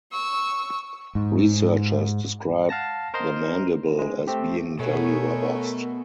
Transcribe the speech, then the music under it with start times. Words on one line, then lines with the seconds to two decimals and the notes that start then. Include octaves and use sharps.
Researchers describe the mandible as being "very robust".
0.12 C#6 E6
1.15 G#2
2.69 F5 F#5 A5 A#6
3.14 A#4 C5 D#5 A#5 C6 F6
3.99 G#3
4.28 A3 C4 G4
4.79 B2 A3 A#4 C#5 G#5